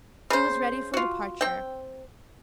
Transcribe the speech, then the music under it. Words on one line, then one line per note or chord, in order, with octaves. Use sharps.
She was ready for departure.
C#3 C5
F4 F#4
C4 G5